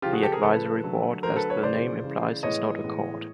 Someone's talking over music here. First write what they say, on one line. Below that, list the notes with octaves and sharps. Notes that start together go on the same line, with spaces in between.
The Advisory Board as the name implies is not a court.
C#3 F3 G#3 F4 G4
F#4 G#4
G4 A4
G#4 A#4
C#3 F3 G#3 A4 B4
D3 F#3 A3
D3 F#3 A3 A#4 C5
A4 B4
B4 C#5
C#3 E3 G#3 C5 D5
C#3 E3 G#3
A2 E3 G#3 B3 C#5 D#5
A2 E3 G#3 B3